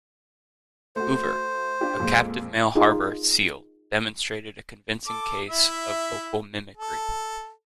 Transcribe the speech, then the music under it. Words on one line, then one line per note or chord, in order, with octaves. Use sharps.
"Hoover", a captive male harbor seal demonstrated a convincing case of vocal mimicry.
A3 F#4 C5
D4 F4 G4
F2 A#2 G#3
D#4 F4 G#4
A4 D6
E4 E5
A4